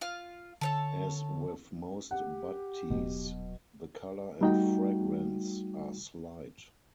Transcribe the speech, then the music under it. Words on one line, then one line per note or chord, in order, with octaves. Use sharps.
As with most bud teas, the color and fragrance are slight.
F4 F5
D3 A4 C#5 A5
G4 F#5
D#1 B2 F#3
G3 A3 D#4 F#4 G5